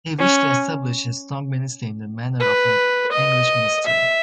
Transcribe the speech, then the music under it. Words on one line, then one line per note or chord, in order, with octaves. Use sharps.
He wished to establish a strong ministry in the manner of an English ministry.
C#4
B4
D#5
E5